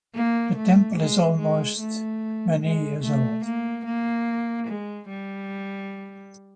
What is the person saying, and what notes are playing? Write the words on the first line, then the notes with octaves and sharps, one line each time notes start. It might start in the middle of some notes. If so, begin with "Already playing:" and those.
The temple is almost many years old.
A#3
A3
G#3
G#3
A3
G#3
A3
A#3
A#3
G#3
G3